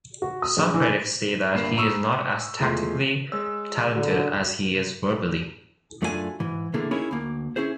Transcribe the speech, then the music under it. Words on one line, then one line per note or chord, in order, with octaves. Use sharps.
Some critics say that he is not as tactically talented as he is verbally.
F#4
D#6
A#1
E3
G1 G2 A#3 B5 C7 E7
A#5 B5 C#6 D#6 E6
E2 G#3 A3 F4 C6
G#3 C#5 E6
D3 E4 F#4 B5
F#2 A3 D4 F4 G#4 G#5
G#2 E3
B2 D3 E3 A3 A#3 G#4
C#4 D#4 E4 G#4 A#4 C#5
D2 A#3
C#4 E4 G#4 C5